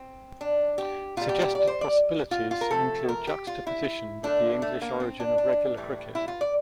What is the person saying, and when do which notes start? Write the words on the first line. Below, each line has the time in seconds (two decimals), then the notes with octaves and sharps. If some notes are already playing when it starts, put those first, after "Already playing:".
Suggested possibilities include juxtaposition with the English origin of regular cricket.
Already playing: C4
0.41 D4
0.78 G4
1.17 A#2 G3 F4
1.29 G4
1.42 G4
1.55 D5
1.67 C5
1.81 D5
2.31 F4
2.51 F4
2.61 A#4
2.70 C3 F3 A3 A4
3.09 A#4
3.27 G4
3.47 F4
3.67 E4
4.23 D3 A3 D4
4.62 A3
4.82 A#3
5.00 C4
5.20 D4
5.38 D4
5.77 A2 E3 G3
6.15 E4
6.28 F4
6.41 D5